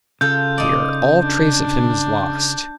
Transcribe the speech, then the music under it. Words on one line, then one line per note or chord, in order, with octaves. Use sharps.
Here all trace of him is lost.
C#3 F4 A4 G6
D#4 D5
D4